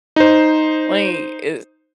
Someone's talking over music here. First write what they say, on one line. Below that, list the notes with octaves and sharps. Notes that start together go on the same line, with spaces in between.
Wait, is
D#4 C5